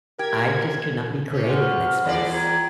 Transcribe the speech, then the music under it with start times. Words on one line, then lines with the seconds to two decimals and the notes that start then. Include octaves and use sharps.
I just could not be creative in that space.
0.19 G4 A#4 G#6
1.30 C3 C#4
1.48 F#3 G#3 F#4 F6
2.05 E2 F3 G3 A#3 D5
2.31 G5 A#5 G#6